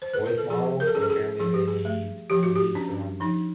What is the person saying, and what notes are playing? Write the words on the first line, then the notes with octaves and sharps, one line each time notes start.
voice models, so apparently they need need some
C5
B4
A#4
A4
F3 G#4
A#4
A4
C#4 G#4
A4
G#4
F3 G#4
G4
G#4
A3
F3 G4
F#4
G4
C#4 D4
F3 D#4